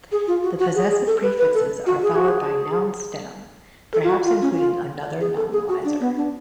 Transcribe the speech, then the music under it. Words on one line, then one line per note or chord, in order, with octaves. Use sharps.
The possessive prefixes are followed by noun stem, perhaps including another nominalizer.
G#4
F4
F#4
F#4
G#4
G#4
A4
B4
B4
A4
F#4
G#4
F#4
G#4
A4
F4
F#4
F4
C#4
F4
G#4
A4
G#4
F#4
D4
B3
D4